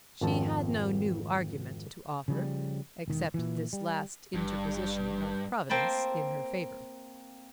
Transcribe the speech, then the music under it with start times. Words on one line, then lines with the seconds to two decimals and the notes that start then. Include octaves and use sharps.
She had no new argument to offer,--except this last interposition of Providence in her favour.
0.21 G#1 F2 A5
2.28 C#3 F3 G3
3.08 E1 D#3
3.34 A#2 E3
3.73 G3
4.34 G#1 G2
5.69 A#3 C4 G5 A5 B5